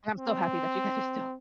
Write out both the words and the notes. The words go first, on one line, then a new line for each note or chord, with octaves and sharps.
and I'm so happy that you guys are still
C4